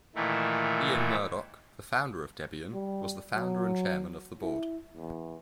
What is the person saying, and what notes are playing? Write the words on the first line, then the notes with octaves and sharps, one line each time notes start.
Ian Murdock, the founder of Debian, was the founder and Chairman of the Board.
A#2 D#3 E3 A3
G3
F#3
E4
E2